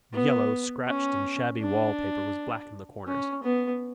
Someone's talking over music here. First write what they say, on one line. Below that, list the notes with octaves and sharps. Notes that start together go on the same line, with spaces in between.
The yellow, scratched and shabby wall-paper was black in the corners.
B3
C#4
D4
C#4
B3